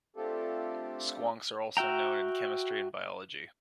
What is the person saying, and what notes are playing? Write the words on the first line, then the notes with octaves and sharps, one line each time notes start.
Squonks are also known in chemistry and biology.
A3 C4 D4 F4 G4 A4
F#4 E5 G5 A#5